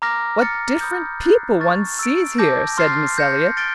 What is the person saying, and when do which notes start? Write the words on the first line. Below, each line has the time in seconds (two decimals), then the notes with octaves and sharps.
"What different people one sees here!" said Miss Eliot.
0.02 A#5 D6 F6 A#6
0.42 F6 A6 C#7
0.81 B5 D#6 G6
1.20 F#6 A6 C7
1.60 A5 C#6 F6 A6
1.99 E6 A6 D7
2.38 A5 D6 G6 A#6
2.78 C6 F6 A6 C7
3.18 G6 A#6 C#7
3.57 F6 A6 D7 G7